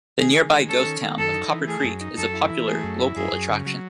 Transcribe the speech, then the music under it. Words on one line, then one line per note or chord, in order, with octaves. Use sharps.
The nearby ghost town of Copper Creek is a popular local attraction.
D#3 G#4
D#3
G#3
C#4 A4
D#3
D#3
F#2 A4
D#4
E3
A3 G#4
F#2
D#4
F#2 A4
E4
E3
A3 G#4
F#2
E4
F#2 G#4
F#2
C#3
F#3